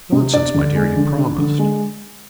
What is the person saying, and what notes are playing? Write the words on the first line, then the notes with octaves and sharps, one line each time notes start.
"Nonsense, my dear; you promised."
C3
D4 D5
D3
G#3
D3
D4
D3
G#3